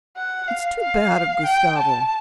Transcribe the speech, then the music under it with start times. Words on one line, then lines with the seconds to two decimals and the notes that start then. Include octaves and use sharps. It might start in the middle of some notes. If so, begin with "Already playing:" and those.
It's too bad of Gustavo!
0.17 F#5
0.48 F5
0.80 F5
1.46 G5
1.78 A5